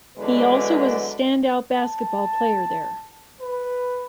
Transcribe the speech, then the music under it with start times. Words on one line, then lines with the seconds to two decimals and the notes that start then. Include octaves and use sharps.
He also was a stand out basketball player there.
0.18 E2 D3 F#3 G#3 B4 D5
1.74 A5
3.40 B4